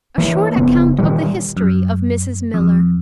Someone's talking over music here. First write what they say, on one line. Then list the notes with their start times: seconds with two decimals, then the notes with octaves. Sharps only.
A short account of the history of Mrs Miller.
0.18 E3 A#3
0.56 F1 C#3 B3
0.98 A#2 D#3 E3 G3
1.57 F#2
2.54 F2